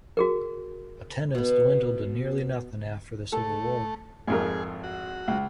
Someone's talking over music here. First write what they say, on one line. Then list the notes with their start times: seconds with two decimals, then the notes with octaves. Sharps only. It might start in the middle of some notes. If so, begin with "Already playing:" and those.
Attendance dwindled to nearly nothing after the Civil War.
0.17 F#4 G#4 A#4
1.35 B2 B3
3.32 A3 A4
4.27 G#1 F2 G#4 A#4
4.84 F#4
5.28 C#2